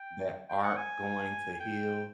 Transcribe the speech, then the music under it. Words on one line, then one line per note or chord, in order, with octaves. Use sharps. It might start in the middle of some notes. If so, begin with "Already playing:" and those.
that aren't going to heal
Already playing: G5
G5
F#5
G#5
G#5
G5